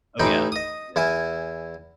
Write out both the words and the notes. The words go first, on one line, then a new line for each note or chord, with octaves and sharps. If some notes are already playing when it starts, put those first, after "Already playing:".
Oh, yeah, oh, yeah.
A1 E3 D#4 G5 B5
D#5 D#6
E2 E4 E5 G#5